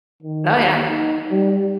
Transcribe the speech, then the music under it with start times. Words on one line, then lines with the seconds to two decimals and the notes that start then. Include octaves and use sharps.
Oh, yeah.
0.23 D#3
0.55 D#2
0.87 D#4
1.31 G3